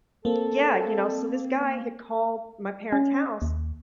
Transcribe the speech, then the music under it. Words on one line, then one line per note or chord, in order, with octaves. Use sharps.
Yeah, you know, so this guy had called my parents' house
A#3 C4 A4
C#4
D#2